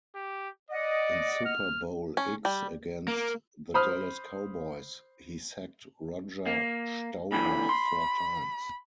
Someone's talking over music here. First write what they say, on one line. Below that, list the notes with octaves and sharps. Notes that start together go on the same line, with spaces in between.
In Super Bowl X against the Dallas Cowboys, he sacked Roger Staubach four times.
G4
D5 D#5 F#5
F6
C#4
G3
A#3
C5 B5 D#6 F6
A#3
A#2 D3 E3 B5
C6